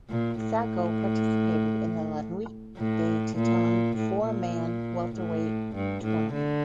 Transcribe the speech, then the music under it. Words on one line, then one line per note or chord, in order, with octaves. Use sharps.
Sacko participated in the La Nuit des Titans four man welterweight tournament.
A#2
A2
A2
A#2
A2
A#2
A2
G2
A2
D3